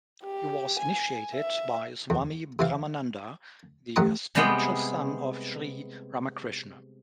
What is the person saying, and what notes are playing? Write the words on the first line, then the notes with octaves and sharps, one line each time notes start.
He was initiated by Swami Brahmananda, the spiritual son of Sri Ramakrishna.
G4
G#5
E5
E2
C3 E3 F5
A1 G2 F#5 A#5 D#6
C3 G3 G#3 B3 G5